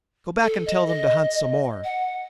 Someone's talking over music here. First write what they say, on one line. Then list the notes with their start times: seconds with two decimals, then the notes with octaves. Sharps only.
Go back and tell them to hunt some more.
0.42 A4
0.66 D#5
0.87 D#5
1.84 F#5